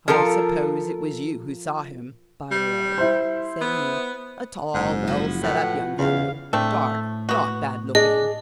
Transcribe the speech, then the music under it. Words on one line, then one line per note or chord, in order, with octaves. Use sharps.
"I suppose it was you who saw him, by the way," said he, "a tall, well-set-up young fellow--dark--not bad looking."
F3 F4 A4 A#4
G3
E4 C5
B3
F#1 G#2
F3 E4 F#4
A2 B4 F#5
E2 C#3 F5
A2 A3 C4 D4
B3 F#4
D4 G#4 D#5